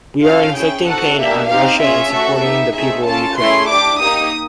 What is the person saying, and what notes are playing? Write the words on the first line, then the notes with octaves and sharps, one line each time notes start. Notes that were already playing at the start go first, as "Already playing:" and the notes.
We are inflicting pain on Russia and supporting the people of Ukraine.
C#4 F4 A4 F5
C#4 E4 G#4 G5
C4 D#4 F#4 A4 F#5
A#3 D4 G4 E5
C4 D#4 G4 F5
C#4 F4 G#4 E5
A3 C#4 F#4 A4
B3 D#4 G4
A3 C4 D#4 G#4 E5
C#4 F4 A4 A5
A3 C#4 E4 G#4 C6
D4 G4 D6
A#3 D#4 G4 D#6